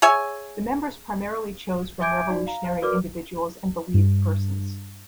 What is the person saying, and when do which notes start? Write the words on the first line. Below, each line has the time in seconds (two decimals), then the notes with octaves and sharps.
The members primarily chose from revolutionary individuals and believed persons.
0.02 G#4 C#5 E5 G#5
2.01 E5 G#5 D6 G6 G#6 D7
2.30 D#4 F#4 D5
2.47 F5 A#5
2.64 C5 F5
2.82 F#4 A#4 B4 D5 D6 F6
3.94 G2